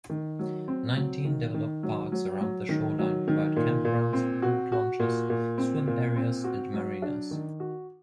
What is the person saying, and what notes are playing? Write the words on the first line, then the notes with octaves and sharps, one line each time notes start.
Nineteen developed parks around the shoreline provide campgrounds, boat launches, swim areas, and marinas.
D#3
F#3
C4
F#3
D#3
D#3
F#3
F#3
F#3
D#3
F#3
D#3
A#2
A#2
C4
F#4
F#4
A#2
A#2
C4
A#2
C4
F#4
F#3
D4
D#3
F#4